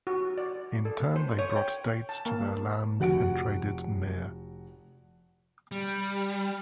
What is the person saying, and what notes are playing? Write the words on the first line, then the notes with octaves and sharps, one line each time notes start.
In turn they brought dates to their land and traded myrrh.
F#4
D5
A4
C5
C#5
G5
A5
A#3
F1 F#4 F#5 D7
G3